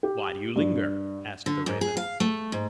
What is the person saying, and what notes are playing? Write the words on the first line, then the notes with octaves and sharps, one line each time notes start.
"Why do you linger?" asked the raven.
G4
G2
D3
G#2
G#4
F5
A3
G#2